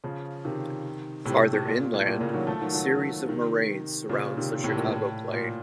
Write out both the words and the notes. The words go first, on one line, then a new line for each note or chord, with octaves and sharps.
Farther inland, a series of moraines surrounds the Chicago Plain.
C#3 F3
C3 D#3
A2 C3
A2 C3
A2 C3
A#2
A#2
A2
A#2
A#2 C#3
D#3 F#3
F3 A3
D#3 F#3
D#3 F#3
C3 D#3
A#2 C#3
C3 D#3
A2 C3
A#2
A2
A#2